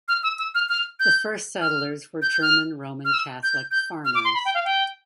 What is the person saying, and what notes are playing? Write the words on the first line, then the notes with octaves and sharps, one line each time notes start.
The first settlers were German Roman Catholic farmers.
F6
E6
E6
F6
F6
G6
F6
G6
G6
F6
F6
E6
G6
G6
F6
D6
C6
B5
G5
F5
G5